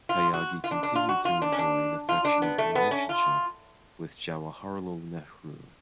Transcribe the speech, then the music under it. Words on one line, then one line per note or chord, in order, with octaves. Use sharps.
Tyagi continued to enjoy an affectionate relationship with Jawaharlal Nehru.
F4
F#4
F4
D4
D4
F4
F#4
F4
D4
C#4
D4
F4
D4
B3
A3
B3
C#4
F4